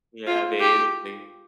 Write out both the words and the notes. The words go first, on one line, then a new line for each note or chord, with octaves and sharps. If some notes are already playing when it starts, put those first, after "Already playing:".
Yeah, basically.
F4
G4